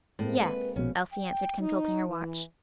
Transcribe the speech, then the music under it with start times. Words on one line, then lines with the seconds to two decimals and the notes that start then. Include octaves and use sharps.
"Yes," Elsie answered, consulting her watch.
0.19 A2 G#3 A#3 C4
0.43 B4
0.76 A#1 B2 C#4
1.13 G5
1.59 D#4
2.08 E3